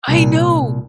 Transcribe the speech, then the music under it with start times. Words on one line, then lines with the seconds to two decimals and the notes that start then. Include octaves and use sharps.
I know.
0.08 C2 A#2